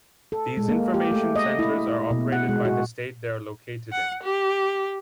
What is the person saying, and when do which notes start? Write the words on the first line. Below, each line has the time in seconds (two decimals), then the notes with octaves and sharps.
These information centers are operated by the state they are located in.
0.32 A4
0.57 G#3
0.69 A#3
0.94 G4
1.11 A3
1.36 D#5
1.59 E4
1.88 E4
2.11 B2
2.32 F#5
2.49 G#3
2.65 F#4
3.92 F#5
4.23 G4